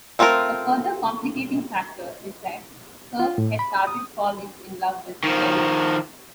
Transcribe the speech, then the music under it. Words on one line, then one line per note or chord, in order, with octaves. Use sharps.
A further complicating factor is that Kirk has started falling in love with Lenore.
A3 C4 F4 G#4 A#4
F4
A2
B5
D#6
D#3 F3